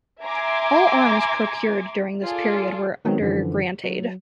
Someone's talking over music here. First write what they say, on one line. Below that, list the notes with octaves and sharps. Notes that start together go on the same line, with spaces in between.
All arms procured during this period were under grant aid.
E5 G#5 A#5 C6 D6 G#6
F4 G#4 A4 D5
D#3 F#3 B3 C4
F#2 D3 E3 F3
F#3